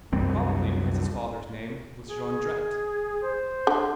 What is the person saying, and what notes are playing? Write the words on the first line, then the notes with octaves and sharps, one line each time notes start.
Probably because his father's name was Jondrette.
C2 F#2 G3 C4
G#4
C5
D3